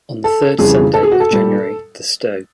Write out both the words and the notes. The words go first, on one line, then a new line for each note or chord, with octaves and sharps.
On the third Sunday of January, the Sto.
A4
F2 C#3 E3 G3 G#4
A4
G#4
F#4
A4
A#2 G3